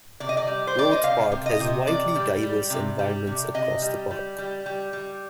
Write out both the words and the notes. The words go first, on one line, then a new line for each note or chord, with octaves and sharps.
Roath Park has widely diverse environments across the park.
C3 D5
D#5
D5
G3
C5
G3 D5
D#5
C3 F5
C3
D#5
C3
C3 D5
G3
G3
C3
G3
C3
C3 D#5
G3
G3
G3
G3
G3